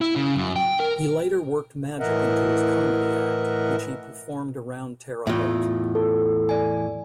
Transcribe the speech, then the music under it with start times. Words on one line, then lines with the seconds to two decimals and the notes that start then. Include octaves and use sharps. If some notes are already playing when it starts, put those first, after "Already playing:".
He later worked magic into his comedy act, which he performed around Terre Haute.
0.01 E4
0.16 C#3
0.36 F#2
0.56 G5
0.80 A#4
2.00 A2 E3 A#4 D#5 E5 F#5
5.27 E2 A2 F4 E5
5.95 A4
6.49 D5 G#5